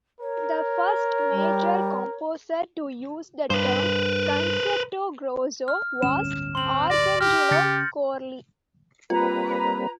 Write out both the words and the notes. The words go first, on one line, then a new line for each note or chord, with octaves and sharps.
The first major composer to use the term "concerto grosso" was Arcangelo Corelli.
A#4 C#5
G3
G2 B4 C5
F6
D1 G1 C#4 E7
C4 C6 F#7
D5 A#6
G4 F6
C#3 G6 A6 C#7
G3 A#3 C4 F4 B4 A#5